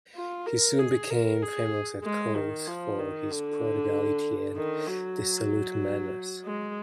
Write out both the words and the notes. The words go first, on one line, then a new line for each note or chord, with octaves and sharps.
He soon became famous at court for his prodigality and dissolute manners.
F4
A#4
G#4
A#4
G#4
G#3
D#3
F3
D#3
D3
D#3
F#3
G#3